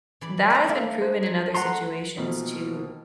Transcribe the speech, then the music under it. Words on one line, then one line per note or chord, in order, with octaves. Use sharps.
that has been proven in other situations to
E3 D5 B5
D5 E5 A#5
A3 D4 E4 A#4 E5 F5
C5
G#5 A#5
A3 F#5 A#5 C6
B2 F3 A3 A#3 C4 D#4